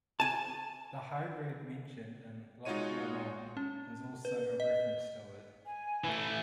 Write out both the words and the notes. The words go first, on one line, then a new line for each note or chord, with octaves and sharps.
The High Road mentioned in "Loch Lomond" is also a reference to it.
G#5 A5
G#3 D#4 F4 F#4 C#5 D#7
C#4
B4
D#5
G#5
E3 A3